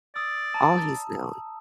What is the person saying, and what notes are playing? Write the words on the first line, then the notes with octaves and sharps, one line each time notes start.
all he's known,
D5 D#6 E6
A5 A#5